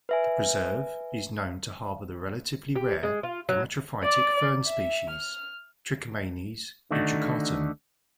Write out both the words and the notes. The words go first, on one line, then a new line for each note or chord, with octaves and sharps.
The preserve is known to harbor the relatively rare gametophytic fern species, "Trichomanes intricatum".
B4 E5 G#5
G4
G#3
F4
F#3
D5
E5
F6
D3 D#3 A3 D4 D#4 F#4